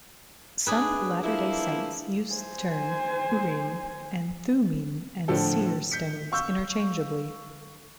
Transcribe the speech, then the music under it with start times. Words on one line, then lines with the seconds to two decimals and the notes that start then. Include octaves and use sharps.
Some Latter Day Saints use the term Urim and Thummim and seer stones interchangeably.
0.67 D4 G#4 B4
1.24 F3 A#3 E4
2.34 C5 G#5
5.28 A2 D3 F3 A4
5.91 G6 B6 C#7
6.32 F5 C#6 E6 G6